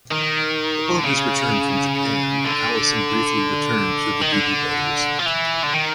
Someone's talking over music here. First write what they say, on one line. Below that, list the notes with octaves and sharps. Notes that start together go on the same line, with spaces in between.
Upon his return from Japan, Allison briefly returned to the Doobie Brothers.
D#3
D3
C#3
D3
D#3
D3
F3
E3
D3
D#3